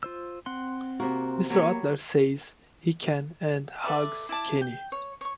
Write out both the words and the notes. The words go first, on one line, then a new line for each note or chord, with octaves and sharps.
Mr. Adler says he can and hugs Kenny.
F4 C5 E6
C4 F#5 C6
C3 A#3 F#4
F#3 G3 A#3 C#5
A4 B4 D5 E5
E4 D5 A5
G5
C#5
C#5 C#6